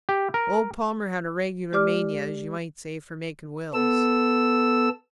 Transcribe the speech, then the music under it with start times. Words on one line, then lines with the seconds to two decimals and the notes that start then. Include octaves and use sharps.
Old Palmer had a regular mania, as ye might say, for makin' wills.
0.09 G4
0.34 A#4
1.72 G#3 G4 D5 D6 F6
3.74 B3 A4 E6